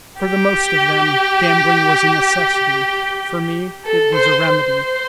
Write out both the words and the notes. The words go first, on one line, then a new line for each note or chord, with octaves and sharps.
For the most of them, gambling was a necessity; for me, it was a remedy.
G4
A4
C5
C5